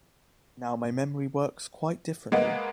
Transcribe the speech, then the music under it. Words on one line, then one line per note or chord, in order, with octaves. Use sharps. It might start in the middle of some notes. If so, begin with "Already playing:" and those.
Now my memory works quite differently.
G#3 A#3 B3 D#5